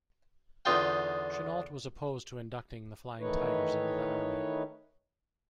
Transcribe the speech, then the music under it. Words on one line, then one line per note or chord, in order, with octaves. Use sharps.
Chennault was opposed to inducting the Flying Tigers into the Army.
E2 D3 D#4 F4 G5
D#3 E3 A3 D#4 B4 C#5